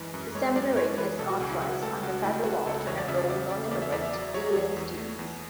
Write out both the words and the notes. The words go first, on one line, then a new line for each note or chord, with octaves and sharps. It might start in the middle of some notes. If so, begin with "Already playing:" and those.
The seminary is authorized under federal law to enroll nonimmigrant alien students.
Already playing: F#2 E3 G#3
F#2
G#3 C#5
F#2 D5
G#3 C#5
E3 B4
B2 A4
F#4
C#2 G#4
E4
F#3 F#4
A3 A4
C#2 F#4
A3 E4
A3 F#4
C#2 A4
E2 C#5
D5
C#3 E5
D5
E2 D5
C#3 D5
E2 D5
E5
E2 D5
E5
F#3 D5
F#3 C#5
E2
E2
A3
E2